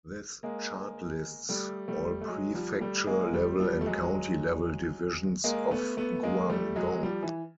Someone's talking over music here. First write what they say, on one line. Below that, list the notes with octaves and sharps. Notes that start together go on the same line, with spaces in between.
This chart lists all prefecture-level and county-level divisions of Guangdong.
G#3 A#3
G3 A3
G3 A3
A3
F#3 G#3
F3 G3
G3 A3
G#3 A#3
G3 A3
F3 G3
A3
F#3 G#3
G#3 A#3
A3 B3
A3 B3
G#3 A#3
G3 A3
F#3 G#3
F3 G3
E3